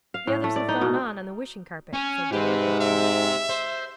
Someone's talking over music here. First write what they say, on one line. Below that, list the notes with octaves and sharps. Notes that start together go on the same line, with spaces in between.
'The others have gone on, on the wishing carpet,' said Jane truthfully.
F5
A2
A3
D5
D#4
B2
C#4 G#5
G#2 G4 B4 C5
E5
C5